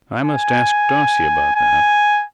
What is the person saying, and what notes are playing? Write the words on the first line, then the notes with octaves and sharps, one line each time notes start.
I must ask Darcy about that.
G#5
G#5